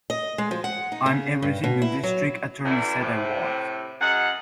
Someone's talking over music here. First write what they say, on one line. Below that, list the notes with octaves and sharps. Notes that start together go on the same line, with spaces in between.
I'm everything the District Attorney said I was.
D#5
G#3
F3
F#5
D#4
C#3
G2
B2
E4
F#3
F#2 D3 E3 D4 E4
A2 C3
F#2 G#3 F#5